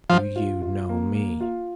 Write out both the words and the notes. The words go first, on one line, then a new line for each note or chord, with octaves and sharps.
"Do you know me?"
F3 C5
F4
F4
A#3
A#3
F4